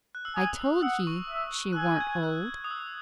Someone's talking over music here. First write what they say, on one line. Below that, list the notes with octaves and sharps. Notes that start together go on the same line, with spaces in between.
"I told ye she wa'n't--old."
F#6
E6
G#5 D#6
E6
F#5 E6
C#6
E5
F#6
G#5 E6
G#6
F#6
D#6
E6